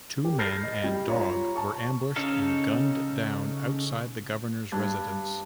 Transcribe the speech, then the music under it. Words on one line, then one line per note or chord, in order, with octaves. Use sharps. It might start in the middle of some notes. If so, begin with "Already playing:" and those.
The two men and dog were ambushed and gunned down outside the Governor's residence.
G4
B5 F6 G6 A6 A#6 C7
D#5
G3
F4 C#5 A#5 B5
A5 C#6
C#3 C#4 D#4 A4 F5
G2